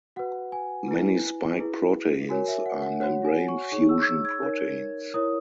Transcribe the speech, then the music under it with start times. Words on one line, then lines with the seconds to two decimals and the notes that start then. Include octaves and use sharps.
Many spike proteins are membrane fusion proteins.
0.16 F#4 B4 F#5
0.52 G#5
0.88 E4 B4
1.59 E4 G#4 B4
2.29 F#4 A#4 C#5 G#5
2.48 E5
2.66 F#5
2.82 F#5
3.00 F#4 C#5 F#5
3.25 G#5
3.48 C#6
3.72 D#4 G#4 C#5 C#6
3.89 E6
4.07 E6
4.25 G#6
4.42 D#4 A#4 C#5
5.14 E4 A#4 C#5 D#6